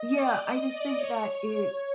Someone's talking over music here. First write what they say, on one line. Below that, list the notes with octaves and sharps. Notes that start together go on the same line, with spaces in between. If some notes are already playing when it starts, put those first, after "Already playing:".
Yeah, I just think that it
Already playing: D#5
D5
D#5
D5
C#5